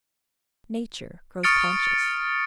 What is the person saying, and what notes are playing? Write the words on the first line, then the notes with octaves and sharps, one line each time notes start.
Nature grows conscious.
C#6 D#6 F6 A6 C#7 D7